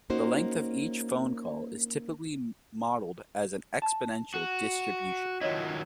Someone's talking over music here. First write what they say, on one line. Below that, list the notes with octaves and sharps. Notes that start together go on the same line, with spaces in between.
The length of each phone call is typically modelled as an exponential distribution.
A#3 C#4 D#4 F#4 C5
A5
F#4
D#3 F#3 E4 F4 C#5 D#5